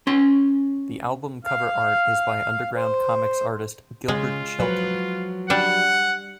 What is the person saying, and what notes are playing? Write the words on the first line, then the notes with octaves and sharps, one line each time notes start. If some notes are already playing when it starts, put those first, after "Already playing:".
The album cover art is by underground comix artist Gilbert Shelton.
C#4 C6
F5
C5
C#3 G#3 F4
F3 F#3 B4
G3 D4 F#5